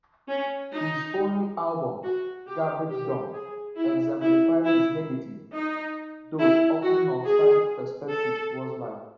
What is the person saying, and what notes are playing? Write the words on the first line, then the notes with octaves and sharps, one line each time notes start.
His only album, "Garbage Dump", exemplified his negative, though often nostalgic perspective toward life.
C#4
D#4
F#4
G4
G4
G#4
E4
E4
E4
D#4
E4
F#4
G#4
A4